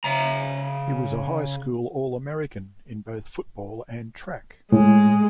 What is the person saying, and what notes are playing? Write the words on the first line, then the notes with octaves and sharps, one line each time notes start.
He was a high school All-American in both football and track.
C#3 A#5
A2 G#3